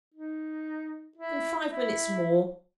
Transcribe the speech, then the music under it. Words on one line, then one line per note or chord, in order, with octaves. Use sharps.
'In five minutes more--.
D#4
E4
E4